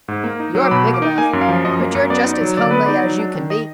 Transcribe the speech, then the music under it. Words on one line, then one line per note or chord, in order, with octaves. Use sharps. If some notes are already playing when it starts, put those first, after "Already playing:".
You're big enough, but you're just as homely as you can be.
G#2
A#3
D#4
F#3
D6
B2 B5
A#3
D6
D#4
A#3 G#5
F#2
F5
F3
F#2 D#5
A#3
F#2
B3 D5
D#4
D5
F#3
D3 D5
B3 B4
D#4 D5
F#3
D4
D#3
D#5